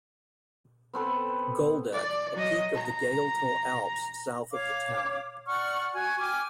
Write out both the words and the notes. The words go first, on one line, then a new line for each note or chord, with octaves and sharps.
Goldeck, a peak of the Gailtal Alps south of the town.
B3 C4 A4 B4
D5
F#3 D#5
A#5
C#5 F5 D6
D5 F#5 C#6 F6
F#4 G#5
G5 G#5 D6 F6